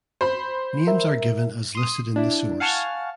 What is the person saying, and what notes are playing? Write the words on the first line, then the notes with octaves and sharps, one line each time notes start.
Names are given as listed in the source.
C5 B5
A#4 E5
C6 D#6
D4 E4
F5 F#5 G#5 A5 C#6 F6